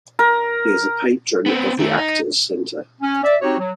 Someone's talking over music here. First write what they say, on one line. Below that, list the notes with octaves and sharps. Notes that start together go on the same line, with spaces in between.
He is a patron of the Actors' Centre.
A#4
B3 C4
D#3 A3
D#4
C#4
D5 E5
C4 D#4 F#4 G4 C#5
F#3